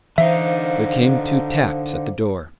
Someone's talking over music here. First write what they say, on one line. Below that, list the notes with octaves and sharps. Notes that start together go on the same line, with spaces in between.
There came two taps at the door.
D3 E3 D#4 C5 E5 F5